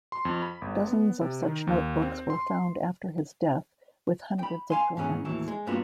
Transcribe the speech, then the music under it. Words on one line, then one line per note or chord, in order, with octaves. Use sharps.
Dozens of such notebooks were found after his death with hundreds of drawings.
C6
F2
B5
G1
B3
C3
D#3
D#2
C4
C6
G5 B5
F5 G#5 C6
G#2 E3 C#4 G#4
D#2 A2 E3 F#3
G#3
G2 A#3 B3 D4 F4 F#4